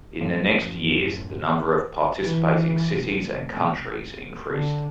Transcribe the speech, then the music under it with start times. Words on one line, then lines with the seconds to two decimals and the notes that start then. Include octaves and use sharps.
In the next years the number of participating cities and countries increased.
0.21 F#2 A2 F3
2.21 E3
2.93 F1
4.48 D3